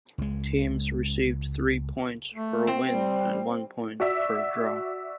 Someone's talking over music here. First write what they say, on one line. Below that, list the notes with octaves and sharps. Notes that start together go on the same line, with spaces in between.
Teams received three points for a win and one point for a draw.
C#2 G#3
A3
C4
G3
F#4 D5 E5